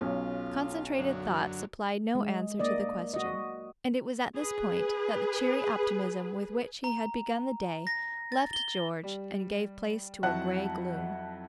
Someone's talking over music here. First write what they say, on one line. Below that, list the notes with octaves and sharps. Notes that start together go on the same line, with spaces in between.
Concentrated thought supplied no answer to the question; and it was at this point that the cheery optimism with which he had begun the day left George and gave place to a grey gloom.
B1 C#4 F4
F#2 D3 F#3
G#3
A#3 D5 D#5
F#4 D#5
G#4 B4
A#5
A#6
A6
G7
G3
F2 F#3 E4 F#5 A5 F#6